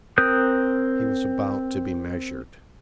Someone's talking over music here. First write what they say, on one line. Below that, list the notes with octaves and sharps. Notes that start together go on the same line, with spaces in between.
He was about to be measured.
C4 A#4 D#6 F#6 G6